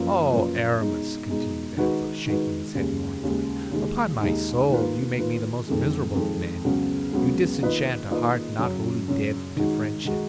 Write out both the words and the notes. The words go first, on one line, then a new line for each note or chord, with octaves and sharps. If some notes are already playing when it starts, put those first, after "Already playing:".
Oh, Aramis!" continued Athos, shaking his head mournfully, "upon my soul, you make me the most miserable of men; you disenchant a heart not wholly dead to friendship.
Already playing: F#2 F3 A#3 F4 B4
F#2 F3 A#3 F4 B4
B2 G#3 D#4
B2 G#3 D#4
D#3 G#3 D#4 F#4 B4
D#3 G#3 D#4 F#4 B4
D#2 C#3 G#3
D#2 C#3 G#3
D#2 D#3 G#3 D#4
D#2 D#3 G#3 D#4
D#3 A#3 F4 B4
D#3 A#3 F4 B4
F2 D#3 G#3
F2 D#3 G#3
C#2 C#3 F#3 B3 F#4
C#2 C#3 F#3 B3 F#4
D#3 A#3 F4 B4 D#5
D#3 A#3 F4 B4 D#5
F#2 C#3 F#3
F#2 C#3 F#3
D#3 G#3 D#4 F#4
D#3 G#3 D#4 F#4